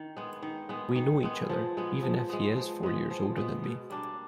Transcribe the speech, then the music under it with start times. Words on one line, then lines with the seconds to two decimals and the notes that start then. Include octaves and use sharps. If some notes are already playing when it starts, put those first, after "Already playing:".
We know each other, even if he is four years older than me.
Already playing: D#3
0.17 G#3 B3
0.43 D#3
0.69 G#3 B3
0.96 D#3
1.23 G#3 B3
1.49 F3
1.77 G#3 B3
2.03 F3
2.30 G#3 B3
2.56 F3
2.83 G#3 B3
3.10 F3
3.36 G#3 B3
3.64 B2
3.90 G3 A#3 D4